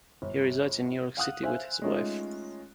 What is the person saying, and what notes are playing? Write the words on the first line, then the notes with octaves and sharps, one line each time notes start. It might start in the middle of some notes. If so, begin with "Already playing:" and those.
He resides in New York City with his wife.
G1
F5 F#5 D#6 F#6
C5 E5 F5 G#5
G#3 A3 C#4 D#4 F4